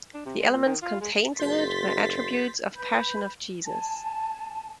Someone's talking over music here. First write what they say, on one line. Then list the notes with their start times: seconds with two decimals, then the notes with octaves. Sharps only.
The elements contained in it were attributes of Passion of Jesus.
0.14 D4
0.26 C3
0.39 G#3
0.54 A#2
0.66 D#3
0.82 F4
1.01 G#3
1.39 F#1 F#4 G#4 C6 G6 A6 B6
2.75 B4 B5 G6
3.65 G#5 A5